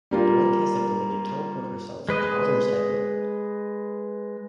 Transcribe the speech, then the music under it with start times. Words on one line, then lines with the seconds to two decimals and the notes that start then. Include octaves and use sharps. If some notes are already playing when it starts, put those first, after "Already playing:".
Blink has the ability to teleport herself and others at will.
0.11 G3 A#3 F4
2.09 G#3 B4 D#5